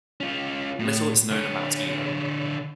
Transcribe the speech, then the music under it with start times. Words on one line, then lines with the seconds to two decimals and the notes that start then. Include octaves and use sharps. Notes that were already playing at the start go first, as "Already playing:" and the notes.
Little is known about either.
0.20 C#4 F4
0.79 A2
1.31 D3 C#5